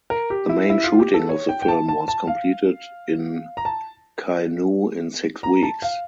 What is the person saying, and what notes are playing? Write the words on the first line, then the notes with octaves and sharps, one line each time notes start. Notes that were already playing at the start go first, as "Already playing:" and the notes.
The main shooting of the film was completed in Kainuu in six weeks.
A#4
G4
E4
E4
F4
G4
A4
C#5
G5
G5
A5
A5
A5
F5
A#5
A5
A#5
A5
F5